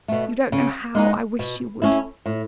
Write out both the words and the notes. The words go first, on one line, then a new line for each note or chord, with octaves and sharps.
'You don't know how I wish you would.
B2 A3
C#3
G#3 D#4 G#4 B4
B2
A3 C#4 E4
A2